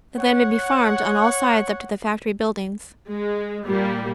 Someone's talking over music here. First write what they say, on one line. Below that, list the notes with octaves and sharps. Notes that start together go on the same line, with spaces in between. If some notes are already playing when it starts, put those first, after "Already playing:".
The land may be farmed on all sides up to the factory buildings.
C#5 F#5
G#3
A#2 G3 A#3